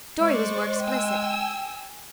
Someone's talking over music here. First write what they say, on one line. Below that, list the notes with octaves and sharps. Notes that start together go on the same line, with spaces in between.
Dorry was more explicit.
G#3 C5 D5 C#6
G5 G#5 E6